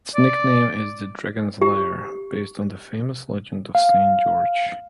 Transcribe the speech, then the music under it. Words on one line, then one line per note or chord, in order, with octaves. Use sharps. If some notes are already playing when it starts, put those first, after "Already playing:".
Its nickname is "The Dragon's Lair" based on the famous legend of Saint George.
D5
G4
F5